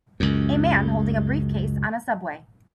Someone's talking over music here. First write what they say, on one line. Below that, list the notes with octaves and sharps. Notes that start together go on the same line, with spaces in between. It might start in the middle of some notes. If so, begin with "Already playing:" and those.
A man holding a briefcase on a subway.
C#2 F#2